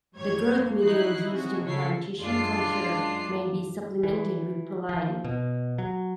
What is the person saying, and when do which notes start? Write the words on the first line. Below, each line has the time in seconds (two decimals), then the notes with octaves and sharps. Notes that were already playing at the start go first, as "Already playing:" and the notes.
The growth medium used in plant tissue culture may be supplemented with proline.
0.14 F#2 A2 G3 C#5 G#6
0.52 A#3
0.82 D#4 E4 F#4 F#6 C7
1.30 C3 G#3 C#4 F#4
1.64 C#3 A4 C#5 B6 C7
2.19 F#2 G#3 D4 F4 C7
4.03 E3
4.89 F3
5.24 B2
5.78 F#3